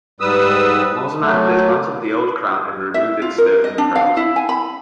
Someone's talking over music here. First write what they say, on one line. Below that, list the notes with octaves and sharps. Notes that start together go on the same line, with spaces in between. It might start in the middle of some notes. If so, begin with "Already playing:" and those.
Mosman dismantled the old crown and removed its stones and pearls.
G#2 G3 B4 D#6 E6
F#3 A3
E5
F4
A#4
D#5
D4
F5
E4
G#5
B5